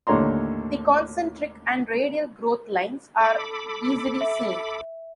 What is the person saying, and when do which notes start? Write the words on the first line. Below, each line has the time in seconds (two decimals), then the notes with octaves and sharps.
The concentric and radial growth lines are easily seen.
0.07 D#2 A2 D3 C#5 A#5 C6
3.20 A4 B5 D6
4.21 E5